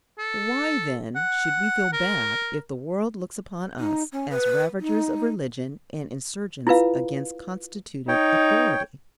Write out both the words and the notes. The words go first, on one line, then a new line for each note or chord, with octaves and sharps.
Why, then, should we feel bad if the world looks upon us as ravagers of religion and insurgents against constituted authority?
A4
F#5
A#4
D#4
C#4
B4
D#4
E4 F4 B4 F5
D#4 C#5 G5